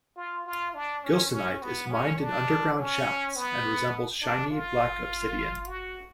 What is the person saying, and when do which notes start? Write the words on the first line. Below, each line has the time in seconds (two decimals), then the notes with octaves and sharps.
Gilsonite is mined in underground shafts and resembles shiny black obsidian.
0.16 F4
0.46 F4
0.74 D4
1.04 C#4
1.32 C#4
1.62 B3
1.90 C#4
2.19 D4
2.77 C#4
3.36 B3
4.22 D4
4.50 F4
5.67 F#4